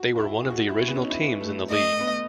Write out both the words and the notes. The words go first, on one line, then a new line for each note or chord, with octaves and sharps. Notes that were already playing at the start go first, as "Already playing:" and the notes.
They were one of the original teams in the league.
Already playing: F#4
F#4
E4
G#4
F#4
E4
F#4
B3
C#4
D#4
E4
A3
A3 D#5
A3
B3
A3